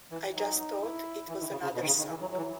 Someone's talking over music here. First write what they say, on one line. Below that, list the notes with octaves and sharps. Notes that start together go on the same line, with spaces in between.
I just thought it was another song.
E3
F#3 D#4
E4
E3 E4
D#3
C#3
C#3
B2
D#3
C#3
D#3
E3
F#3 E4
F#3
E3